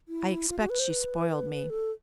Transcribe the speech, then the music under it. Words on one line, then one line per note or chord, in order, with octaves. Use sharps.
I expect she spoiled me.
E4
F4
F#4
B4
C5
B4
A4